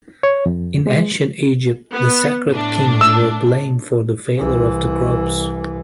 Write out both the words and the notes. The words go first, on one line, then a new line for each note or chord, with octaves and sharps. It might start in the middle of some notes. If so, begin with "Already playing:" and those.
In ancient Egypt the sacred kings were blamed for the failure of the crops.
C#5
F2
G#3
B3
A2 D4
E6
C2 E3